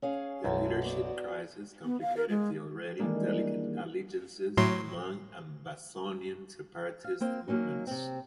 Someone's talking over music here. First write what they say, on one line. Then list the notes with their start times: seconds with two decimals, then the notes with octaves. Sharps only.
The leadership crisis complicated the already delicate allegiances among Ambazonian separatist movements.
0.02 C#4 G#4 F5
0.44 B1 F#2 E4 A4
0.85 B3 F#4 D5
1.85 B3
2.01 F5
2.17 A#4
2.29 G#3
2.99 D#3 E3 G3 G#3 A#3 D4
4.57 A2 F#3 C6
7.04 F5
7.21 A#3 C4 C5
7.48 F#3 A#3 C#4 D#4
7.87 C3 C4